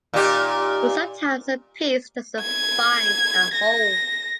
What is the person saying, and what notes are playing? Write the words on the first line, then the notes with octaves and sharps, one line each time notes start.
But sometimes a piece doesn’t find a hole.
A#2 D#4 G4
G#6
A#6